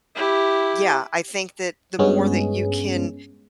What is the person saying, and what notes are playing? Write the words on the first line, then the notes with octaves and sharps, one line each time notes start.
yeah, I think that the more that you can
E4 G4
G2 G#3 B3 C#4 G#4